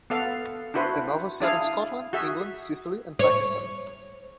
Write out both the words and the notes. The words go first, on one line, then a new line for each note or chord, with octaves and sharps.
The novel is set in Scotland, England, Sicily and Pakistan.
B3 A4 F5
D4 E4 F#4 B4 C5
D4 E4 G#4 F5
F#4 G#4 E5
C#5